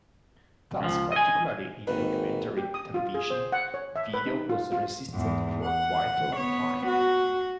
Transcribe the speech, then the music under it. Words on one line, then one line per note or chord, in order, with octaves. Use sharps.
Thus, particularly in documentary television, video was resisted for quite a long time.
C#2 F3
D#5 G#5
G#1 D#2 D#3 B4
G4
D#6
F4
G#4
C5
F#5
C#5
E5
B4
D#4
F4
F4
E2 G#2
F#5
B3 C#5
F#4